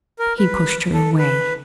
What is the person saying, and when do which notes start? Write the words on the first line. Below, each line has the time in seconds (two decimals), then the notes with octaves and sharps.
He pushed her away.
0.19 A#4
0.38 B4
0.94 A4
1.18 B4